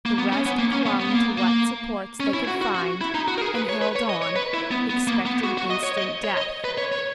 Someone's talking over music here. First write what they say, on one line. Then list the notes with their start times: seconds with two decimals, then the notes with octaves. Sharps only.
The rest clung to what supports they could find and held on expecting instant death.
0.06 A#3
0.18 B3
0.32 C#4
0.46 B3
0.59 A#3
0.72 C#4
0.86 B3
1.00 B3
1.12 A#3
1.38 A#3
2.20 C#4
2.34 E4
2.47 F#4
2.61 F#4
2.75 F#4
3.01 E4
3.14 D#4
3.28 F#4
3.38 A#4
3.41 G#4
3.55 B4
3.69 C#5
3.82 B4
3.96 C#5
4.09 D#5
4.22 C#5
4.36 B4
4.54 E4
4.71 B3
4.90 B3
5.08 A#3
5.26 B3
5.44 F#4
5.58 F#4
5.70 D#5
5.83 C#5
5.98 D#5
6.24 C#5
6.37 D#5
6.64 B4
6.78 C#5
6.92 C#5